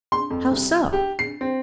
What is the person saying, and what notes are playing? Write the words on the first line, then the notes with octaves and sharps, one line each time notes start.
"How so?"
C6
F2
C2
G4
C7
C4